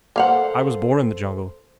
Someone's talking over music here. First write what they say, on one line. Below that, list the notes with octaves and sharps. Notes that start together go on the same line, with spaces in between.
I was born in the jungle.
A#3 A4 C5 F5 F#5